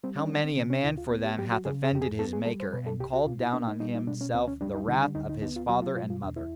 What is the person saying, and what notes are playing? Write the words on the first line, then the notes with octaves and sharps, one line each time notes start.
How many a man for them hath offended his Maker and called down on him self the wrath of his father and mother!
G3 C4
C#4
D4
D#3 C#4
C4
C3 C4
C#4
D2 E4
F4
B3
G4
F#3 G4
F#4
C#3 G#4
G#4
F2 G4
G#4
B3 A4
G#4
G3 A4
C5
B2 B4
A4
C2 G4
F#4
B2 F4
E4
A#3 D4
D#4
G3 D#4
D#4
B2 D4
C#4
D2 C4
C#4
G3 D4
D#4
D3 D#4
D4
D2 D#4
D#4
B3 D#4
F4
F#3 F#4
F4
B2 F4
F4
E2 D4
E4